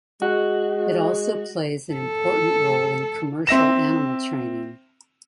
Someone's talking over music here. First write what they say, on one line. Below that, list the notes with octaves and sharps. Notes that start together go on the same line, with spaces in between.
It also plays an important role in commercial animal training.
G#3 F#4
A4
C4 E5 A#6 E7